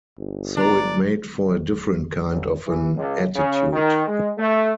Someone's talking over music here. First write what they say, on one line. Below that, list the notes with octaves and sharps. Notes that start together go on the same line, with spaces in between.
So it made for a different kind of an attitude.
G1
D4 D5 A#5
A1
E3
C#2
C#3
D#3
G#3
A3